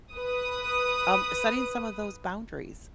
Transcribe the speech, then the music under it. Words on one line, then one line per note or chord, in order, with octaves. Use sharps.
Um, setting some of those boundaries
B4 D#6